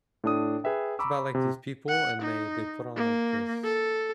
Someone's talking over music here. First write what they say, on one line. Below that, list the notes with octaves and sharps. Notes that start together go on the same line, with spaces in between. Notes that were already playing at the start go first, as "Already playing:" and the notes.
it's about, like, these people, and they they put on, like, this
A2 D4 D#6
G#4 B4 E5 G5
A#5 B5 C#6 D6 E6
C3
F#5
D#4
A#3
A4